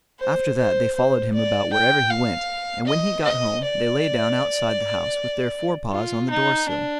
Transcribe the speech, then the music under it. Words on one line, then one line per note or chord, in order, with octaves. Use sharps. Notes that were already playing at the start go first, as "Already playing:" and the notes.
After that they followed him about wherever he went, and when he got home, they lay down outside the house, with their fore-paws on the door sill.
C5
C5
C5
D5
G5
F5
D#5
D#5
D5
F4
D#4
D4